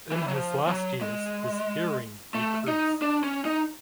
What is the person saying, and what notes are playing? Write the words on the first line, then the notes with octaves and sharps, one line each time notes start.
In his last years his hearing decreased.
E3
F#3
F3
F#3
G#3
A3
D#4
D4
C#4
D#4